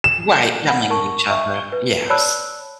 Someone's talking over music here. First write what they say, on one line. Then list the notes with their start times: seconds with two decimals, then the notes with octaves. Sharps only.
Right, yelling at each other, yes.
0.04 E7
0.65 F#5 B5 A#6
0.90 A#4 A5 C#6
1.30 E5 C#6
1.72 B4
2.10 C#5 D5 A5 B5 E6 F#6